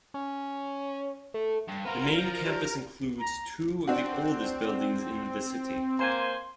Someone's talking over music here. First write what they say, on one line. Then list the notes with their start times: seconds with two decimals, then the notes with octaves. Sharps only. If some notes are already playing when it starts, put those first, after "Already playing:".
The main campus includes two of the oldest buildings in the city.
0.14 C#4
1.34 A3
1.68 G2
1.85 B3 F4 A#4 C5 F5 A#5
2.03 F#4 D5 F5
2.18 F3
2.46 G4 B4 D5
3.20 A#5
3.87 C4 D4 F#4
5.99 A#3 C5 G#5 C6